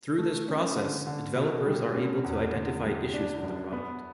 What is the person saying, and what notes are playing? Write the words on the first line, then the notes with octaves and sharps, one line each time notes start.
Through this process, developers are able to identify issues with the product.
A3
C#4
D3
D3
B2
G3
C#4
E2
D3
G3
D4
F#2
B3